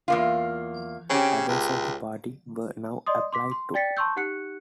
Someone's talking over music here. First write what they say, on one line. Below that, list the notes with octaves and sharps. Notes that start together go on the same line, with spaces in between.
Others of the party were now applied to.
E2 A#3 F4
C#3 C4 C#4 G4
C#2
D5 D#5 C6 D#6
C6 D6 B6
C6
D5 G5 A6 B6 C#7
A5 C6 C#6 E6 G6
D#4 G4 F#5 F#6 C#7